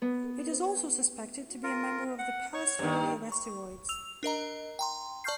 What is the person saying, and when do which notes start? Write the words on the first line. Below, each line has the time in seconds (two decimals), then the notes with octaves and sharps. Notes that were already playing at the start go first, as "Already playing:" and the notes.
It is also suspected to be a member of the Pallas family of asteroids.
0.02 B3
1.63 F4 A#4
2.19 F#5
2.54 C#5 C#6
2.79 G2 D#3
3.32 C#6
3.89 E6 F7
4.23 D4 A#4 D#5 A#5
4.79 G5 A#5 C6
5.24 D5 A5 C#6 F6 G6 C7